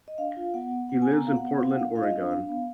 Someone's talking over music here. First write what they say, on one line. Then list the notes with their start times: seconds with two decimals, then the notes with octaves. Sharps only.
He lives in Portland, Oregon.
0.08 D#5
0.18 D4 F5
0.37 F4
0.54 B3 F#5
0.71 B3
0.89 B3 F#5
1.02 G#5
1.07 B3 A#5
1.24 B3 F5
1.36 F#5
1.42 B3
1.61 B3 F5
1.70 F#5
1.77 D4 F5
1.95 F4 F5
2.03 D#5
2.11 D4 F5
2.31 D4 F5
2.49 B3